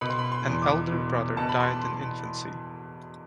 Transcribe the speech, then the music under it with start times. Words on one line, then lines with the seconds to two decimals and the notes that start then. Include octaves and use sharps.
An elder brother died in infancy.
0.01 B2 B5
0.10 C6
0.19 B5
0.32 C6
0.47 E2
0.62 D6
0.92 B2
1.37 B2 A5
1.49 B5
1.60 C6